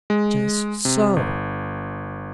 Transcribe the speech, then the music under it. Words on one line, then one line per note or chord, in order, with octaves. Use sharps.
"Just so."
G#3
C3
G1